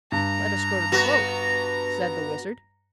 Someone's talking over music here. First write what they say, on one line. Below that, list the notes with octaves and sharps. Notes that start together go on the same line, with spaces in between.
"Let us go to the boat," said the Wizard.
G2 A#5
B3 F#4